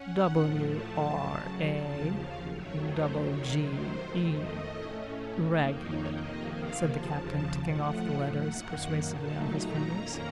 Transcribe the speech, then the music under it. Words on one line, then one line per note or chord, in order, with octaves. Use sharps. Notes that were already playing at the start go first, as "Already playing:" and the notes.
"W, R, A, double G, E--Wragge," said the captain, ticking off the letters persuasively on his fingers.
Already playing: C#4 F#5
A2 F3 A3
A5
F#2 C#3 F#3
D#2 C#3 F3 A5
F5
F2 D#3 F#3 A3 C#5
C5
C3 D#3 F#3 C#5
C5
F2 D#3 A3
D#5
A2 A3 C#4
F2 D#3 A#3 D#4
C#5
F2 C3 D#3 A#3 D#5
F5
D#2 C#3 F3 A5
A5
A2 F3 A3 F#5
F#2 D#3 A#3 F#5
A#2 F#3 A3 D#4 A5
A#5
F2 D#3 A#3 C#4